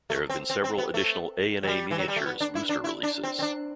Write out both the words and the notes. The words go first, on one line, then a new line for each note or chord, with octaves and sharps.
There have been several additional "A and A Miniatures" booster releases.
A3
C4
C4
C4
B3
A3
F#3
G3
E3
F#3
G3
A3
B3
D4
E4
D4
E4
D4
C4
C4
D4